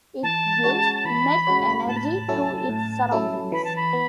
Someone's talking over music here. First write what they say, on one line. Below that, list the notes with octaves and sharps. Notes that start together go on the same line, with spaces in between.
It gives net energy to its surroundings.
E3 A5
G#3 C#4 F#4 C#5
A5
E3 B5
G#3 C#4 F#4 C#5
A2 A5
B5
A5
F#3 C#4 E4 A4
A2
F#3 C#4 E4 A4
E3 B5
A5
B5
B3